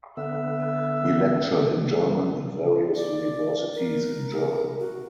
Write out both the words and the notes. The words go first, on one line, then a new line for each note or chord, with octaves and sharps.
He lectured in German at various universities in Germany.
D3 B3 E5 E6
D5
A#4
F#4